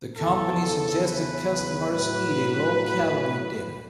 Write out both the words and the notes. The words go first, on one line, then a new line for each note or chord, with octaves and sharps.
The company suggested customers eat a low-calorie dinner.
E2 C#3 E3 A4
B4
A2 F#3 B4